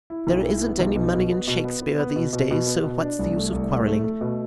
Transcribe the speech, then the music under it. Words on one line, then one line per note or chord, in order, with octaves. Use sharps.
There isn't any money in Shakespeare these days, so what's the use of quarrelling?
E4
B1
E4
B3
B1
B2
B2
B3
B2
B3
B3
B3
B2
B2
B2
B3
B2
D4
C2
A3
C2
A3
A3
A3
B2